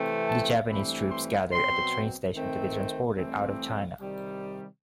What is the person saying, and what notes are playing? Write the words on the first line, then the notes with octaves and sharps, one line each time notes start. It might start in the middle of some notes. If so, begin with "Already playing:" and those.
The Japanese troops gather at a train station to be transported out of China.
Already playing: C3 E3 A3 C4
A5
G2 E3 A3 C4 B5
C6
B2 F#3 C4 C6
D#3 A3 C4
G2 E3 A3 C4
C3 D#3 G3